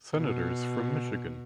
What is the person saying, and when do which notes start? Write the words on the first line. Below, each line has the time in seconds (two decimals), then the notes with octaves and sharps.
Senators from Michigan.
0.16 B2